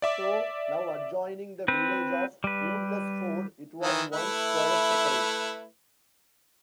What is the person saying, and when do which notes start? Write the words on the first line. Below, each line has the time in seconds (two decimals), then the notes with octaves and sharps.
Though now adjoining the village of Woodlesford, it was once quite separate.
0.02 D5 E5 D6
1.68 C4 B4
2.44 G3 B4
3.81 D#3 E3
4.12 A3 E4 B4